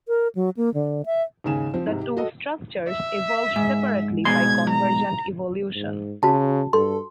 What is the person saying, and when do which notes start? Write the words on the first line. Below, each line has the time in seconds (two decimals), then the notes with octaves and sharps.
The two structures evolved separately by convergent evolution.
0.08 A#4
0.35 F#3
0.57 A#3
0.74 D3
1.06 E5
1.44 D#2 G#2 C#3 G#5 E7
1.74 F3 C4
1.87 G#2 C3
2.01 G4
2.17 F#4 A4 D#5
2.88 E5
3.56 G#2
4.25 G#2 B2 C6 G#6
4.70 A#5
5.75 G#2
6.23 C#3 F#4 A5
6.73 G2 A4 C6